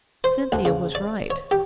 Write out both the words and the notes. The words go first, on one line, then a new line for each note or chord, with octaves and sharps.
Cynthia was right.
C5
D2
C#3
D5
C#5
G4